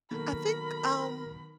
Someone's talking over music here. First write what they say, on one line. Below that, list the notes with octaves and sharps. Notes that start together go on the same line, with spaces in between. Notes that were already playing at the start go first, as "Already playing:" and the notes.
I think um,
B2 D#3 F#3 A#3 A4 A#4 B5